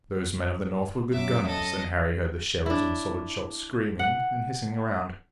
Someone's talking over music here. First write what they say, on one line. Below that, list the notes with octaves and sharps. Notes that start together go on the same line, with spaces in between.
Those men of the North were good gunners and Harry heard the shells and solid shot screaming and hissing around.
F#2 E5 D6
A4 D#5
D4 E4
F#5